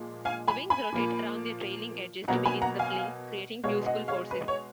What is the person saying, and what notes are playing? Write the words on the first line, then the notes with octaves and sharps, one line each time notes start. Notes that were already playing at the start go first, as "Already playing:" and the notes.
The wings rotate around their trailing edges to begin the "fling", creating useful forces.
Already playing: A#2 F3 G#3
F5 G#5
G#5 B5
G#5 B5
A#2 F3 A#3
B2 F#3 A#3 F#5 A#5
G#5 B5
F#5 A#5
F5 G#5
B2 G#3 C#5 F5
D#5 F#5
C#5 F5
B4
C#5